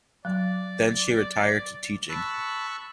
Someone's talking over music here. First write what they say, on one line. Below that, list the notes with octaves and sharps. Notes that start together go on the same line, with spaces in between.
Then she retired to teaching.
F#3 D5
A5 B5 C#6 E6 F#6